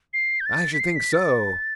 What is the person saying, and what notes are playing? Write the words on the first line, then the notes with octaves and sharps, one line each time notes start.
'I should think so!
C7
G6
A6
B6
C7
B6
A6